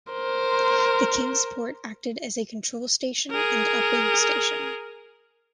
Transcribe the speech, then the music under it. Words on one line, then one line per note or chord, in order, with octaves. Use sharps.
The "Kingsport" acted as a control station and uplink station.
A#4 C5
G#4 A#4